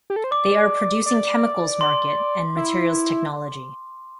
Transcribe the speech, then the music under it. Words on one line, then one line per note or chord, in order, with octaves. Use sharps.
They are producing chemicals market and materials technology.
G4
A4
C5
D5 D6
D5
C6
E4